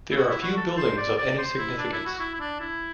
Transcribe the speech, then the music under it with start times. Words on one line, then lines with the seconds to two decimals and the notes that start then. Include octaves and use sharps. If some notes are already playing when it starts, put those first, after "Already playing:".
There are few buildings of any significance.
0.11 E4
0.16 F#4
0.29 E4
0.42 F#4
0.57 A4
0.77 C5
0.97 D5
1.18 D5
1.38 C5
1.58 E4
1.79 D4
1.92 E4
2.06 F#4
2.20 E4
2.34 E4
2.40 D4
2.60 E4